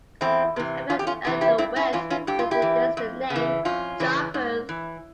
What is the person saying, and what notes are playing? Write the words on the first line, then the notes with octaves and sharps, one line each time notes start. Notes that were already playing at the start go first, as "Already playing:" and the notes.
This event earned the Welsh Methodists the name "Jumpers".
E2 C4 E4
C3 E3
E2 C#4 F4
G4
C#4 F4
C3 E3
E4 G4
G2 C4 E4
C4 E4
E3 C#4 F4
C#4 F4
G2 G4
F4
E4 G4
E3
F2
C#3
E3
F2 C#4 F4
C#3 E3
G#2
E3